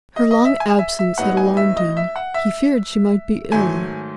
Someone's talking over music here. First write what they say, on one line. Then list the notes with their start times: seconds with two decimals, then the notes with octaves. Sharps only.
Her long absence had alarmed him; he feared she might be ill.
0.16 D#5
0.31 D#5
0.45 E5
0.60 G#5
0.79 E5
0.99 E5
1.18 A2 F#3 B3 D#4 F#5
1.37 G#5
1.57 E5
1.77 D#5
1.97 E5
2.16 F#5
2.34 E5
3.52 G#2 D#3 F#3 A3 G#5